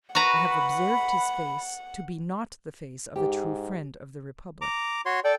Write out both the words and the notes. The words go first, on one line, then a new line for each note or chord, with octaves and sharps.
I have observed his face to be not the face of a true friend of the Republic.
F#4 B4 F#5 A#5 B5
G#2 G4
A#5 D6
F#4 C#5 C6
A4 D5 G5